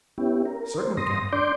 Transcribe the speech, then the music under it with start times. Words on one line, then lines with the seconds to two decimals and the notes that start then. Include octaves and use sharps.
"Certainly, captain."
0.18 B3 C#4 E4 G4
0.46 A#4
0.78 C5
0.97 G2 C6 D#6 A#6
1.32 D4 D5 C6 D6 G6